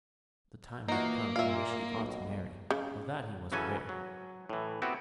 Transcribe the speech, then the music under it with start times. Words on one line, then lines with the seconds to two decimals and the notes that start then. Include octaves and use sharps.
The time had come in which he ought to marry; of that he was aware.
0.88 A#2 E3 A#3 D#4 F#4
1.36 A#2 E5 F5
1.94 B1
2.70 C#3
3.52 C#3 E3 F#3 C#4 A4 G#5
3.89 F#3
4.49 A2 E3
4.82 B3 C4 E4 F#4 G4